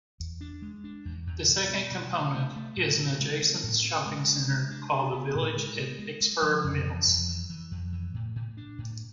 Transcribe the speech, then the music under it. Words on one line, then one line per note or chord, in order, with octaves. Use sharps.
The second component is an adjacent shopping center called the Village at Pittsburgh Mills.
E2
D4
G#3
D4
E2
E2
B2
B2
B2
A3
A3
A3
A2
C4
G#3
C4
A2
C4
G#3
D4
G#3
D4
D4
B3
A2
G#3
B3
G#3
G#3
F3
F2
E3
F2
E3
E3
F2
E3
A2
A2
D4
A2